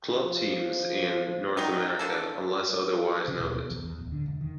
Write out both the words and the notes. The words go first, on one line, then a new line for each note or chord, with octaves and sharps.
Club teams in North America unless otherwise noted.
F3
F#3 G3 D#4
D3 A#3 A4
C#3
D#1
B2
E2
E2
D1
D3
E1
D#3